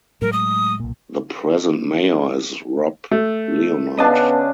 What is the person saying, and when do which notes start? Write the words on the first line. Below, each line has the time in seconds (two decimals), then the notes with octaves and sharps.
The present mayor is Rob Leonard.
0.22 A2 F#3 G#3 A#4
0.33 D#6
0.80 B1 A#2
3.12 A3
3.99 C#3 B3 D4 D#5 A5